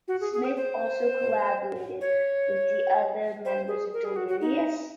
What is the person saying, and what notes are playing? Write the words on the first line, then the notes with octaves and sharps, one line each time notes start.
Smith also collaborated with the other members of Delirious?
F#4
G#4
G#4
C5
C5
C#5
C5
G#4
A#4
G#4
F#4
F#4
D#4